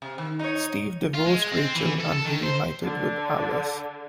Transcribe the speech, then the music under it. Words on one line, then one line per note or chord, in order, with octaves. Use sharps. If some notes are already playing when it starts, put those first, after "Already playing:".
Steve divorced Rachel and reunited with Alice.
C3
D#3
D#4 C#5
F4
G#3
C4
E3
A4
A4
D#3
C5
D3